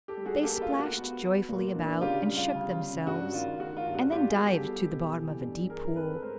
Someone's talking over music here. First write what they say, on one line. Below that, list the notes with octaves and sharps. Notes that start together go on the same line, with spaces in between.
They splashed joyfully about, and shook themselves, and then dived to the bottom of a deep pool.
G4 A4
G3
F#4 G#4
A#3 G4 A4
F4
A#3
F#4
B3
B3
A#2
D4
C#3 F4 G4
G3
F4
C#3
C#3
G2 F#4
D#3 F4
D#3 F#4
F4
G2
F#4
B3 F4 G4
F#4 G#4
G3
G4 A4
B3
B2
E3
G2
G2 G#4 A#4
C4 A4 B4
G#3 A#4 C5